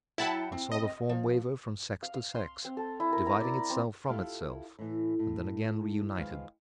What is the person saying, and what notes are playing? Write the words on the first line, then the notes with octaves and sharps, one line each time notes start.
I saw the form waver from sex to sex, dividing itself from itself, and then again reunited.
F#3 E4 F#5 G5 A5 B5
C4
D#5
F3
F5
F5
C6
C4
A4
E4
A#4
A#5
D5
C4
E4 F4 G4 A4 F5
A2 E3
A2
D#3 F3 G#3 B4 F5